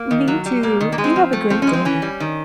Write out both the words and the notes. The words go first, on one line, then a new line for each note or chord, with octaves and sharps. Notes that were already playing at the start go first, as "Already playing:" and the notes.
Me too, you have a great day.
Already playing: A#3
D#3
F#3
G3
B2 A#3
D#3
A#3
G#3
C4
F3
A3
F3 C4
C#4
G#3
C4
E3 C#4
G3
D#3